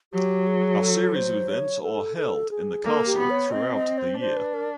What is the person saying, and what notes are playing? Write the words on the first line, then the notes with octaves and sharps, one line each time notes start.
A series of events are held in the castle throughout the year.
F#3 G4
G#4
A4
C5
C#5
A4
A4
G#4
A#3 A4
G4
B3
C#5
C4 D#5
D#5
C5
D4 C5
B4
A#4